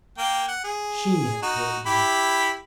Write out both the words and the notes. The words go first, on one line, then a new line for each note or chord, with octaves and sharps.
She had created him.
A#3 G5
F#5
G#4
D#4 F#4
E4 G4 B5